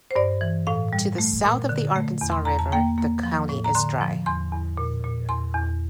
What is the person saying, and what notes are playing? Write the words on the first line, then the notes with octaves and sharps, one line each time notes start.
To the south of the Arkansas River, the county is dry.
C5
G2 D5
E3
A2 F5
G3
A3
A#2
D3
A3
E2
C6
E2 A#5
A5
A#3 G5
A#3
F3
A2
A#5
D3 C6
F3
E2 C6
E2
A#2
A#2
E2 C6
E2